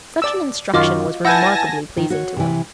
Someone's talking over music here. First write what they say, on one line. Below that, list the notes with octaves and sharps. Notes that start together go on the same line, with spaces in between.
Such an instruction was remarkably pleasing to him.
D5 E6
F#2 D#3 F4 F#4 D#5 D6 F6
E4 B4 F#5 G#5 A5 E6 G6 A#6
D#3
F#4 C#5
C3 E3